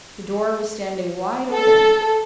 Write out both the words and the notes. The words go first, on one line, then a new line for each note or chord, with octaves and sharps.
The door was standing wide open.
A4